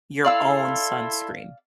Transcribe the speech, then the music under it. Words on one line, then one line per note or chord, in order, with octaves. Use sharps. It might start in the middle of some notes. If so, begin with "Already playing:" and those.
your own sunscreen,
E4 A4 D5 F5 C6 E6